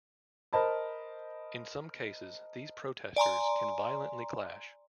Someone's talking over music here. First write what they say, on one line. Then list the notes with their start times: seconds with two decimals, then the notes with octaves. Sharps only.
In some cases, these protesters can violently clash.
0.53 A#4 C5 D#5 A5 B5
3.16 D5 G#5 A#5 C6